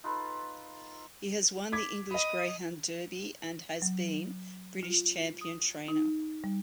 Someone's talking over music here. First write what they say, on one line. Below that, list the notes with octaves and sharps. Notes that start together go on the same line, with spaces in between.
He has won the English Greyhound Derby and has been British champion trainer.
D#4 F4 A4 B4
D6 G#6 B6
D#5 B5 D#6
F#3
F4
D#6
D#4
G3